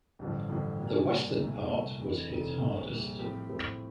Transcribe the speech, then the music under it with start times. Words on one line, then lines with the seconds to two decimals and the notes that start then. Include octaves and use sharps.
The Western part was hit hardest.
0.19 A1 G2 D3 F3
0.50 A1 G2 D3 F3
0.79 A#2 G3 A#3 D4 G4
1.09 A#2 G3 A#3 D4 G4
1.40 C2 A#2 A3
1.69 C2 A#2 A3
2.00 F1 F2 E3
2.30 F1 F2 E3
2.59 A#1 A#2 G3
2.89 A#1 A#2 G3
3.19 A2 F3 C4 G4
3.49 A2 F3 C4 G4